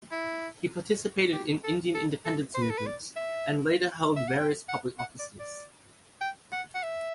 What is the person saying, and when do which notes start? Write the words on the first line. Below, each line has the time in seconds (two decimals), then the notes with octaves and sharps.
He participated in Indian independence movement and later hold various public offices.
0.11 E4
1.33 G4
1.64 A4
1.95 A4
2.25 A4
2.55 C5
2.62 B4
2.70 A4
2.78 B4
2.86 D5
3.16 E5
4.16 E5
4.28 F#5
4.38 G5
4.69 F#5
4.99 F#5
5.19 D5
5.39 D5
6.21 G5
6.52 F#5
6.75 F#5
6.83 E5